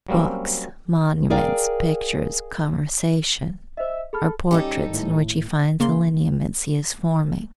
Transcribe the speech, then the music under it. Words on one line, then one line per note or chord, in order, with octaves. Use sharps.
Books, monuments, pictures, conversation, are portraits in which he finds the lineaments he is forming.
F#3 G3 A#3 C4 C#4
G#4 A#4 D5 F5 G5
C5 D#5 E5
G#4 A4 B5 F6
G3 C#4 D#4 G4 A4
G#1 A2
C#3 A#3 C6